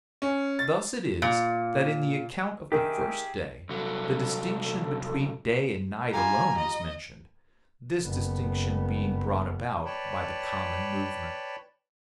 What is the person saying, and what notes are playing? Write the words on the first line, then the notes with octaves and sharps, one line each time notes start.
Thus it is, that in the account of the first day the distinction between day and night alone is mentioned; this distinction being brought about by the common movement of the heavens.
C#4
A6
A#2
D#3 G4 G#4 E5
C2 F#3 A4
G3 F4 G4 G#5 A#5
D#5
F#1 B3
B4 C#5 D5 G5 A5 B5